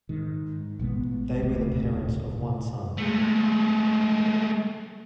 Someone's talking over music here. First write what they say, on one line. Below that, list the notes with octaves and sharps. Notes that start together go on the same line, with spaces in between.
They were the parents of one son.
G#2 D#3
A1 B2 G#3 B3
D#1 C#2 C3 A3
C3
G#3 A3